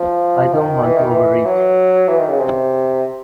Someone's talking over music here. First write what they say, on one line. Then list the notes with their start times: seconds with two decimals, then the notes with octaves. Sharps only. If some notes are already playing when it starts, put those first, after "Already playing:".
I don't want to overreach.
Already playing: F3
0.53 D#3
0.84 E3
0.97 D#3
1.10 E3
1.46 F#3
2.08 E3
2.19 D#3
2.29 C#3
2.39 C3